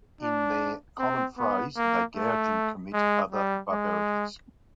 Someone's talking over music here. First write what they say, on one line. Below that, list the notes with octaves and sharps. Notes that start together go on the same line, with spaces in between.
In their common frays they gouge and commit other barbarities.
D4
C4
B3
A#3
A3
G#3
G3
G#3